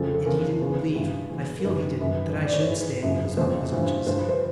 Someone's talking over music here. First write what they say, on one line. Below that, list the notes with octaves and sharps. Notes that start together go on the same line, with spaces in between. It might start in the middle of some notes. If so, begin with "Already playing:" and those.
And he didn't believe, I feel he didn't, that I should stay at Kuzma Kuzmitch's.
Already playing: F2 C#3 F3 A4
A4
E2 C#3 F3 A#4
E2 C#3 F3 B4
G2 E3
E2 B2
A#4
F#2 D#3 B4
F#2 D#3 B4
B4
A2 E3
D5
C#5
C5
G#2 E3 B4
F#2 C#3 F3
F2 C#3 F3 C5
G2 E3
G2 D3 F3 C5
B4
C5